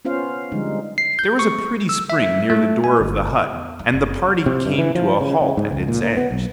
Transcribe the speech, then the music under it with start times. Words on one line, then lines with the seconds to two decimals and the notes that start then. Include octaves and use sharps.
There was a pretty spring near the door of the hut, and the party came to a halt at its edge.
0.05 B3 C#4 F4 C5 F5
0.52 D3 F3 G3 G#3 D#4
0.98 C7
1.19 G6
1.39 C#6
1.89 E6
2.10 E5
2.50 A3
2.84 G#5
3.00 G1
3.52 E2
3.79 D#4
3.93 F#1
4.46 C3
4.66 G2
4.78 E3
4.95 F3
5.21 C#3
5.41 C#3
5.57 G#2
5.72 C#2
5.88 A#2
6.02 A#3
6.17 B3
6.31 B1